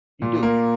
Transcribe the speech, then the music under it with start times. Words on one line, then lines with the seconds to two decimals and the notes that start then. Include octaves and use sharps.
You do.
0.22 A#2
0.43 A#3